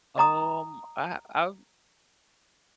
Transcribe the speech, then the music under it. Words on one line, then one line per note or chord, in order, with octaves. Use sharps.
Um, I I
D#5 A#5 D#6